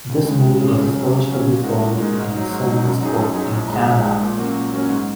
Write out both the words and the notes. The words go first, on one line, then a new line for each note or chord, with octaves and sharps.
This movie was the first to be filmed in CinemaScope in Canada.
C#2
C#3 G#3
C#2
C#3 G#3
C#3
F#3 C#4 F#4
C#3
F#3 C#4 F#4
A#2
G#3 D#4 F#4 A#4
A#2
G#3 D#4 F#4 A#4
G#2
F#3 D#4
G#2
F#3 D#4
F#2
F#3 D#4 G#4
F#2
F#3 D#4 G#4
A#1
G#2 G#3
A#1
G#2 G#3
A#2
F#3 A#3 C#4 F#4
A#2
F#3 A#3 C#4 F#4
G#2